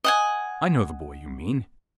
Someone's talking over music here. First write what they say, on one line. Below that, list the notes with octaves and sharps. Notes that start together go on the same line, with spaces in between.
I know the boy you mean.
D#5 F#5 G#5